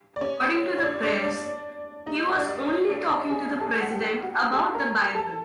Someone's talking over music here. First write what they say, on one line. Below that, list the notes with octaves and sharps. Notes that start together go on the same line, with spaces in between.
According to the press, he was only talking to the President about the Bible.
D5
C#4 C#5
C#5
D4 D5
D4 D5
D4 D5
D#4 D#5
D#5
D4 D5
C#4 C#5
D4 D5
D#4 D#5
G#4 G#5
A4 A5
F#5
G4 G5
F#4 F#5
A4 A5
A#4 A#5
A#4 A#5
A4 A5